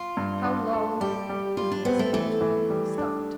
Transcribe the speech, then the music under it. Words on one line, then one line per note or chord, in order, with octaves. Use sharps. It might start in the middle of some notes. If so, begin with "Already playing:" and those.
"How long--" His voice faltered, and he stopped.
Already playing: F4
G2
D4
A4
G3 G4
G3
G3 F4
D4
B3 C4
A3
E3 A3
E3
G3
D4